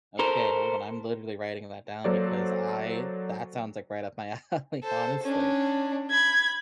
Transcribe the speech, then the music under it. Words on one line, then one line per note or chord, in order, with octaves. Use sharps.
Okay, hold on, I'm literally writing that down because I that sounds, like, right up my alley, honestly.
A4 A#4 C5
F#3 A#3 A4 C5 D5
A4 C5
C#4 D4
B5 G#6